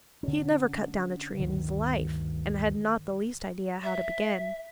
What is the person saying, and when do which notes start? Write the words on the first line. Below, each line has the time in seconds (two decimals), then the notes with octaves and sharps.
He had never cut down a tree in his life, and had not the least idea how to begin.
0.23 D3 C#4
1.39 D2 G2 D#3
3.84 E5